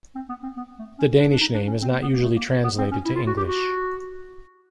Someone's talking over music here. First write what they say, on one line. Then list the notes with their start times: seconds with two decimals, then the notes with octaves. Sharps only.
The Danish name is not usually translated to English.
0.15 C4
0.29 B3
0.43 C4
0.57 B3
0.78 A3
0.99 C#4
1.19 D4
1.30 D4
1.40 D#4
1.54 D4
1.67 C#4
1.82 C4
1.91 A#3
2.02 B3
2.13 A#3
2.23 A3
2.36 A#3
2.64 B3
2.78 C4
2.91 C#4
3.05 E4
3.16 F4
3.27 F#4
3.37 G4
3.47 F#4